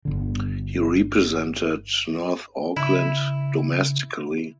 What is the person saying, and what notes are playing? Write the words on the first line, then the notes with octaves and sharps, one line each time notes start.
He represented North Auckland domestically.
G1 D3
C#3 E4